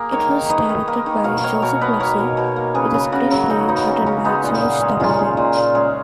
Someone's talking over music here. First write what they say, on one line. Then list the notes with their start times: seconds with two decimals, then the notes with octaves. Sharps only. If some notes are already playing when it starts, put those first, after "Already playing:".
It was directed by Joseph Losey, with a screenplay written by George Tabori.
Already playing: A#3 G#4
0.12 D#3 A#4 C#5
0.31 D#3
0.49 D#3 B4 D#5
0.69 D#3
0.88 A#3
1.06 D#3
1.24 B2 C#5 F5
1.43 A#3 C#5 F5
1.62 B2 A#4 C#5
1.81 B2 B4 D#5
2.00 A#3 A#4 C#5
2.19 B2
2.37 B2
2.56 A#3
2.75 C#3 G#4 B4
2.94 C#3
3.12 C#3 F#4 A#4
3.31 F#3
3.49 C#3 D#4 F#4
3.68 F#3 B3 D#4
3.87 A#3 C#4
4.06 C#3 C#4
4.24 G#3 B3 D#4
4.43 A#2
4.62 A#2
4.81 G#3
5.00 A#2 C#4 F4
5.19 G#3
5.37 A#2
5.57 A#2
5.75 G#3 C#4